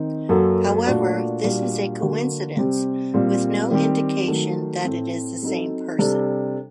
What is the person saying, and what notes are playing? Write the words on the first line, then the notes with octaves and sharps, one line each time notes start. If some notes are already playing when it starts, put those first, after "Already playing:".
However, this is a coincidence with no indication that it is the same person.
Already playing: D#3 C4 D#4
F#2 F#3 A#3 F#4 A4
A#2 A3 D4 F#4
A#2 G3 D4 F#4
D3 F#3 A#3 F#4
C3 G3 C4 G4
A#2 G3 C4
D#3 G3 C4 G4
D#3 F#3 A3
A2 A3 C4
F#3 C4 D#4 A4
C3 G3 D4 A4